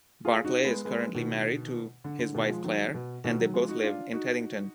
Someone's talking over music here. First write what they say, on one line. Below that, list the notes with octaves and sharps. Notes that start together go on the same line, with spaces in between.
Barclay is currently married to his wife Clare, and they both live in Teddington.
F4 G#4
D#4 F#4
G#3 B3
G#3 B3
B2 D#3
D3
D3
B2 D#3
F3 G#3
D#3 F#3
B2
B2 D#3
D#3 F#3
F3 G#3
D#4 F#4
D4 F4
D#4 F#4